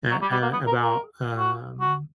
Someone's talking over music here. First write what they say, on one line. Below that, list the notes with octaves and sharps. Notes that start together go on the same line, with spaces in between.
at, uh about, um,
F#3
G3
G3
A#3
B3
A#4
A#4
F#4
F#4